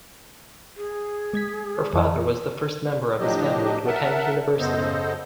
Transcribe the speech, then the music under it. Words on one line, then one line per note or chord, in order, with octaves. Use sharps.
Her father was the first member of his family to attend university.
G#4
G#3 G#6 B6
F2 E3
A2 F3 F#3 D4 G4 D#5
A#4 E5 F#5 A5
F#2 C#3 B3 A4 C5 D#5